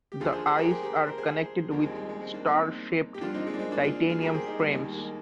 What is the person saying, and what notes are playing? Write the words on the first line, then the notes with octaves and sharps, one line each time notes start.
The "eyes" are connected with star shaped titanium frames.
G4
D2 D3 F3 F4 G#4
G#4 C5
G#4 C5
G4 A#4
G#4 C5
G4 A#4
C5
A#4
G#4 C5
D#2 D3 F3 G4 A#4
G#3 C4
G3
G#3
G#3
G#3 C4
A#3 D4
C4 D#4
G4
G2 D3 F3 D4 F4
C4 D#4
G#3 C4
D4
G#3 C4
A#3 D4
D4 F4
F4 G#4
G4 A#4
G#4 C5
D#4 G4
G3 A#3
D#2 D#3 G#3
G3
A#3
G#3